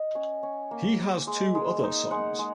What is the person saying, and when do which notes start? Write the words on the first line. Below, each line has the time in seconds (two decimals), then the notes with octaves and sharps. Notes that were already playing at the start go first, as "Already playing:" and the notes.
He has two other sons.
Already playing: D#5
0.15 C#4 F#5
0.43 C#4
0.71 A#3
0.99 A#3
1.27 G#3
1.55 G#3
1.83 D#4
2.11 G#3 F#5
2.39 G#3